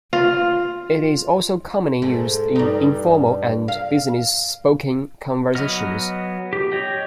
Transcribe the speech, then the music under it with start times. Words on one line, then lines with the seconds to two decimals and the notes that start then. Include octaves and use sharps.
It is also commonly used in informal and business spoken conversations.
0.13 F4
2.02 G#2 A3
2.56 G2 D#4
3.68 F5
5.55 F#3 B3 D#5 F6
6.53 G4
6.72 C#5 D#5 G5